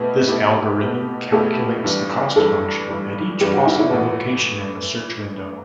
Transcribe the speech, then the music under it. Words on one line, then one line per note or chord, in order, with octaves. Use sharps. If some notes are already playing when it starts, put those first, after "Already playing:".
This algorithm calculates the cost function at each possible location in the search window.
Already playing: B2 A3 E4 G4 B4
B2 A3 E4 G4
B2 A3 E4 G4
B2 A3 E4 G4 A4
G2 E3 G3
G2 E3 G3 A4
G2 E3 G3
G2 E3 G3 G4
F#4
E4
E4
A2 E3 A3 F#4